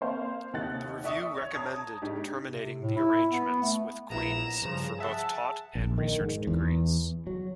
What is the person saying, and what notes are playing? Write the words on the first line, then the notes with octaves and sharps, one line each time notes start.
The review recommended terminating the arrangements with Queen's for both taught and research degrees.
A#3 C4 C5 F5
D#2 C3 D#4 F#5 F#6 A6
D5 E5 C#6 D#6
C#5
A5 A#5 D#6 G#6
G#2 D4 D#4 G4
C3
A2
E4
B3
A3
A#1 B3 E4 A#5 E7
G2 C#3 F3
G#4 E5 F#5 A5
A#1
D#3
G#2
E2
F#3